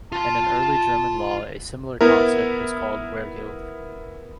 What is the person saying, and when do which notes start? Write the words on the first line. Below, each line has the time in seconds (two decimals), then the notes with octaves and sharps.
In an early German law, a similar concept was called weregild.
0.12 F4 A5 C6
2.01 B3 E4 A#4